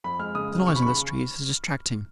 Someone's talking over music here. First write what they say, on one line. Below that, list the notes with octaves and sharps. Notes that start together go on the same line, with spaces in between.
The noise in the streets is distracting.
F2 B5
G#3 F6
C#3 D#6
F2
D#2 C#6
B5
C#3 B5 C#6